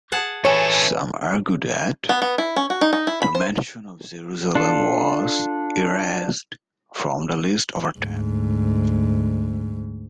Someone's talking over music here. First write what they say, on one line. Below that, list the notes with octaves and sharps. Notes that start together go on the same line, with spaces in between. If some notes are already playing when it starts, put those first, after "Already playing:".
Some argue that the mention of Jerusalem was erased from the list over time.
G#4 F#5 A5
E3 C#4 A4 C#5
B3
B3
E4
C#4
F#4
D#4
D#4
E4
B5
C5
D4 F4 A4
D2 G#2